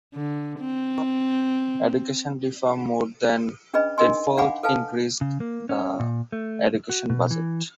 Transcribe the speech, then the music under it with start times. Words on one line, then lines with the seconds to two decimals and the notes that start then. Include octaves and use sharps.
Education reform more than tenfold increased the education budget.
0.15 D3
0.59 C4
3.74 C#4 D4 G#4 B4 D#5 B5
3.98 D4 D#4 A#4 D#5 G#5 C6
4.37 D4 F5 F#5 G#5 B5 D6
4.63 A4 B4 F5 G#5 A5
5.21 C#3
5.40 A#3
5.69 C#4
6.00 A#2
6.32 A3
6.90 F#4
7.10 B2
7.31 E3